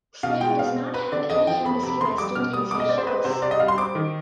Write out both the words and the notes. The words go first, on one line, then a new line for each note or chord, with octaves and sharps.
Spain does not have an embassy resident in Seychelles.
B2 F5
G#3 G5
B2 F5
C4
C4 B4
D3 D5
F2 D#5
F3 G5
F2 B5
C3 B5
F2 C6
G3 D6
B2 F6
G3 D#6
B2 D6
D#5
C4 D5
C5
C4 B4
C3 C5
C2 D5
D#5
G3 F5
C6
C4 D6
D#3